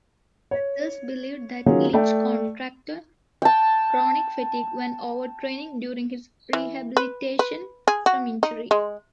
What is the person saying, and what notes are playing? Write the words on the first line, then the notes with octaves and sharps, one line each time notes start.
Others believed that Lynch contracted chronic fatigue when overtraining during his rehabilitation from injury.
C#5
D#3 F#3 A#3 C#4 F4 G#4
A3 D5 G5 A5
G5 A5
E3
B4
B4
G#4
F#4
D#4
G#3